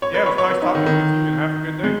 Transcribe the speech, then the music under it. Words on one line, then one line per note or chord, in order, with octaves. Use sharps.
Yeah, it was nice talking with you, and have a good day.
C#5
B4
C#5
C#5
B4
D#4
D#3
D#3
G#3